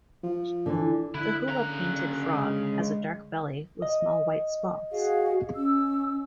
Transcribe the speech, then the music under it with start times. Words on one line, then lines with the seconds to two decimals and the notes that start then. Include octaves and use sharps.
The Hula painted frog has a dark belly with small white spots.
0.23 F3
0.66 D3 E3
1.15 D3 E4 F#6
1.48 C#3 A#5
2.33 G#3
3.82 D#5
4.91 F#4 G#4 F5
5.55 C#4 E6